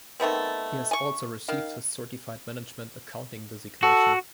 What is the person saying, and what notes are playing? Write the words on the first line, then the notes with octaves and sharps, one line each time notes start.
He has also received his Certified Management Accounting designation.
D#3 A3 B3 C4
G#5 C#6
D#3 F5
F#4 A4